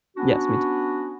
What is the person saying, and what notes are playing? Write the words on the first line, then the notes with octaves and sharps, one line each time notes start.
Yes, me too.
B3 C#4 D4 F#4